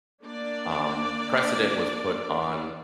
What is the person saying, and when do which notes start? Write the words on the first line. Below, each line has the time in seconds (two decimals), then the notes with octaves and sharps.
um, precedent was put on,
0.23 A#3 D4 D5